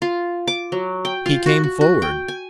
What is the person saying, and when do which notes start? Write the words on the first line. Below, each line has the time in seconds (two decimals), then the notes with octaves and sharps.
He came forward.
0.02 F4
0.47 D6
0.72 F#3
1.05 G5
1.26 F4
1.46 F#4
1.64 F#4
1.81 F#4
2.02 G5
2.28 G#5